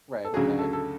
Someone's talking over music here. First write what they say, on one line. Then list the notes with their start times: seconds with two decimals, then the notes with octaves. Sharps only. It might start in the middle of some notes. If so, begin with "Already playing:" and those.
Right, okay.
0.25 A4
0.34 D2 C#3 F#3 G#4
0.59 A4
0.73 A4